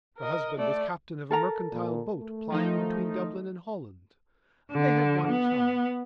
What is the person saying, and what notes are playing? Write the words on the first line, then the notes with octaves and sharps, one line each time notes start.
Her husband was captain of a mercantile boat plying between Dublin and Holland; and they had one child.
A#4 D#5
A3 D5
A4 A#4 A#5
A#2
A3
D#3 F3 D#4
D3
B3